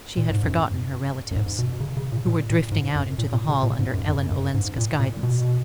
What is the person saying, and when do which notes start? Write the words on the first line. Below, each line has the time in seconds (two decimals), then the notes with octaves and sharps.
She had forgotten her relatives, who were drifting out into the hall under Ellen Olenska's guidance.
0.17 A#2
0.31 G#2
0.44 F#2
1.31 F#2
1.36 G#2
1.59 B2
1.80 C#3
1.97 C#3
2.12 A#2
2.26 A#2
2.50 A#2
2.72 G#2
2.95 F#2
3.18 A#2
3.33 A#2
3.49 C#3
3.63 A#2
3.79 G#2
3.94 F#2
4.09 F#2
4.31 F#2
4.54 G#2
4.78 A#2
5.00 A#2
5.23 B2